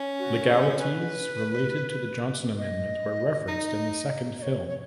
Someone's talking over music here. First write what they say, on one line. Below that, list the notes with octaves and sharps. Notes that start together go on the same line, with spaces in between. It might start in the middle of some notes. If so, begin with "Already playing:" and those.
Legalities related to the Johnson Amendment were referenced in the second film.
Already playing: C#4
F#4
B4
G#4
B4
D#5
D#4
D#5
C#5
C#5